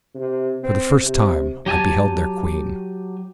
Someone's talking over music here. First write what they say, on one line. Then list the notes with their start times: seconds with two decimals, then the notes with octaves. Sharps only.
For the first time I beheld their queen.
0.15 C3
0.63 C4
1.03 C3
1.66 F#3 G4 G#5 A5